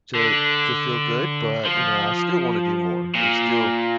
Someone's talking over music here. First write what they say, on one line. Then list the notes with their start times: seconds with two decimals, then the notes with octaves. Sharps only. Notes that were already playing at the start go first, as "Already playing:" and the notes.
to to feel good, but, you know, I still wanna do more. I'm still
0.15 D3
1.65 F3
3.15 A#2